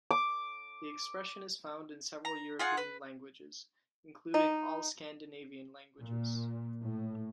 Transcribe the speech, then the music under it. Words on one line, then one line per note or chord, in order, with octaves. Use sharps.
The expression is found in several European languages, including all Scandinavian languages.
D6
A#5
F4 G#4 F#5
B4
D#4
A#2
A2